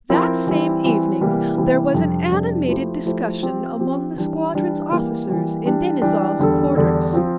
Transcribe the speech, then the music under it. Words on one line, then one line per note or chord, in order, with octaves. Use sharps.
That same evening there was an animated discussion among the squadron's officers in Denisov's quarters.
F3 C4 E4 A#4
E3 G3 C4 E4
E3 G3 C4 E4
C3 E3 G3 A#3 E4
C3 E3 G3 A#3 E4
F2 C3 G3 D4
F2 C3 G3 D4
F3 A3 E4 G4 C5
F3 A3 E4 G4 C5
F3 C4 G4
F3 C4 G4
E3 G3 D4
E3 G3 D4
E3 G3 A#3
E3 G3 A#3
E3 G3 D4 G4
E3 G3 D4 G4
E2 D3 G3 D4 A4
E2 D3 G3 D4 A4
F3 C4 F4